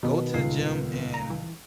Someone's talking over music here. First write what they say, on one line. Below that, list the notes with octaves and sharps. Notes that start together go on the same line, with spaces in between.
"Go to the gym and
B2 D#3 B3
D#1 C#2 C7
A#5
E3